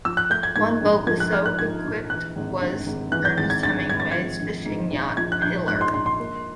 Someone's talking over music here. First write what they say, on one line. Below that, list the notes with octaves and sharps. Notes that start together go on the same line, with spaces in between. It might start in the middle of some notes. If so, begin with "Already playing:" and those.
One boat so equipped was Ernest Hemingway's fishing yacht "Pilar".
F3 E6
F#6
A3 G6
G#6
G#2 G#6
A#1
F3 G#6
F#6
A3 F6
F#6
G#2 G#6
A#1
E3 F#6
G#1
G2
G#1
E3 F#6
G6
G#1 A6
G#6
G2 A6
G#1 G#6
A6
F3 G#6
A#1
G#2
A#1
F3 G#6
F#6
A#1 G6
G#2 F#6
C6
A#1 C6
C6
A#3